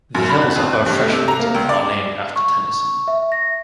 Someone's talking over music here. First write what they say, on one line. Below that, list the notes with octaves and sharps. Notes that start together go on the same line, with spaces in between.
The hills above Freshwater are named after Tennyson.
F#2
B5
F#6
F2
F#6
G2
A3
C3
A#5
A#3
C#2
D5
C#6
E5
A#6